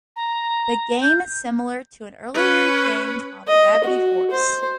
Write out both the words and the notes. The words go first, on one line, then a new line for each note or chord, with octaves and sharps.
The game is similar to an earlier game called Gravity Force.
A#5
G6
C#4 B4
D#5
F#4
C5